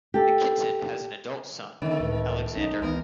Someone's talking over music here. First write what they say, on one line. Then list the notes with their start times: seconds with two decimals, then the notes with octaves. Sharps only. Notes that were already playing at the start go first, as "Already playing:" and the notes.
Nikitin has an adult son, Alexander.
0.14 G4 A4
1.82 D3 D#3 A3 B3 C#4
2.00 C#2 A2 B4
2.56 B1 C#4 D#4
2.81 C#2 D#3 E3 B3 A#4